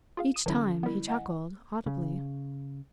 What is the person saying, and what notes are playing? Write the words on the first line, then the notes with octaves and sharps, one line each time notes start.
Each time he chuckled audibly.
F4 G#4 F5
D#6 D#7 E7
D3 E3 F#3 C#4 E4
G3 B3 E4 A#4
D#5 F#5 G#5
C#3